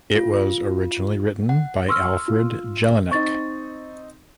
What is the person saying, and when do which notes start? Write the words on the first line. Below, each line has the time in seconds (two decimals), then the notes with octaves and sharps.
It was originally written by Alfred Jellinek.
0.15 F4
1.49 F#5
1.89 C6 C#6 E6 F6
2.28 F4
3.11 C4 D#4 C#6 A6